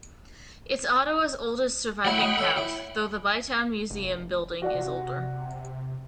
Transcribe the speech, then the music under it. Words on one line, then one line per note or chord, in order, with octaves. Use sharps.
It is Ottawa's oldest surviving house, though the Bytown Museum building is older.
F#3 A3 E4 F#5 G5 B5
D#5 C#6
A4 C#5
E4
F1
F#4 D5 F#5
C3